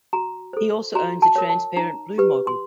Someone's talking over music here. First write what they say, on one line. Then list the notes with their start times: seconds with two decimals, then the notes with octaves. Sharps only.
He also owns a transparent blue model.
0.13 F#4 A#5
0.53 A4 C5
0.95 F#4 A#5
1.22 A5
1.36 A#4 C#5
1.49 A5
1.77 D#4 A#5
2.18 G4 B4
2.47 C6